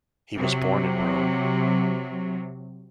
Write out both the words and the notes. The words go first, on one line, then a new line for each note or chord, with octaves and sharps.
He was born in Rome.
C3 F#3